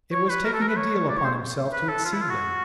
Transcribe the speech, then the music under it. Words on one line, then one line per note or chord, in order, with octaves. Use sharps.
It was taking a deal upon himself to exceed them.
C#5
B4
A#4
A4
A#4
B4
C#5
D5
C#5
C5
B4
A4
F4
E4
F4
F#4